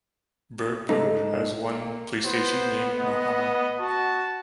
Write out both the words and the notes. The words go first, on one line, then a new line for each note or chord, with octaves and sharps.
Birdpur has one police station named Mohana.
G#2 A3 D#4
A#3
B3 C5
D#5
F#4 A5